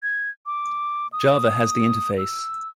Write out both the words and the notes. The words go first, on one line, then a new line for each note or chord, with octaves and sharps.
Java has the interface.
G#6
D6
D#6
E6